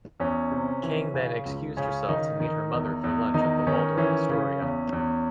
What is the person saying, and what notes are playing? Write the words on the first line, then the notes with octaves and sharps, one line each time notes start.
King then excused herself to meet her mother for lunch at the Waldorf-Astoria.
E2 C#4
C3
E3
C#3
C#2
C#3 C#4
D#3 D#4
D#3
E2
E2
D#3 D#4
D#3 C#4
E3 C#4
C#3
E2
E2